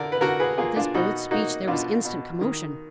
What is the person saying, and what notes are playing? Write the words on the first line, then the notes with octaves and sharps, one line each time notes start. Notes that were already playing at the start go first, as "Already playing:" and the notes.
At this bold speech there was instant commotion.
Already playing: D3 A#4 D5
B4
D3 F#4 A#4
G#4 B4
A#3 F4 G#4
D4 F4
B2 D#4 F#4
A#3 D#4 F#4
B2 D4 F4
B2
D#3